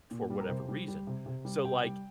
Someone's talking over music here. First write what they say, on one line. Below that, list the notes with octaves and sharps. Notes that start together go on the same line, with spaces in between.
for whatever reason. So, like,
A#2
G3
A#4
C3 C5
G3
G3
C3
C3
G3
C3 G5
G3